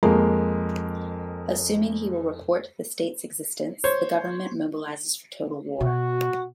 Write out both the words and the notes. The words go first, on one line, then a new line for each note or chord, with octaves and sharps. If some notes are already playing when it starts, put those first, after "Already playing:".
Assuming he will report the state's existence, the government mobilizes for total war.
F2 G#3 A#3 A#4
C5 C#5
B2 F#4